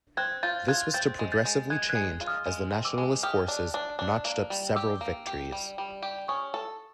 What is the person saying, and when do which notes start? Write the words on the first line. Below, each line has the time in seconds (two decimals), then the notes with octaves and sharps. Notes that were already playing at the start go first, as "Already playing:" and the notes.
This was to progressively change as the Nationalist forces notched up several victories.
0.17 C4 F#6 G#6
0.43 F4 G6 A6
0.68 F4 F#6 G#6
0.94 C4 G6 A6
1.19 G#3
1.32 G6 A6
1.45 G#3
1.70 G#3 F#6 G#6
1.89 F#6 G#6
1.95 G#3
2.21 F4
2.27 D#6 F6
2.46 G#3
2.71 C4
2.85 D6 E6
2.98 G#3
3.23 G4 D#6 F6
3.48 D4
3.74 D4
3.99 D4
4.25 A#3
4.50 G3
4.76 G4 D6 E6
5.01 A#3
5.27 G4
5.52 G3
5.78 G3
6.02 G4
6.28 C#4 C#6 D#6
6.54 A4